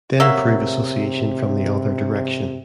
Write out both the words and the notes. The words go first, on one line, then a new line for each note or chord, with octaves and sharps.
Then prove association from the other direction.
C3 F#3 A#3 E5